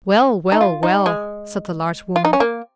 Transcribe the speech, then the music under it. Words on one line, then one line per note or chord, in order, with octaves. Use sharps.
"Well, well, well!" said the large woman.
D#4
F4
D#4
G#3
F4
D#4
C#4
A#3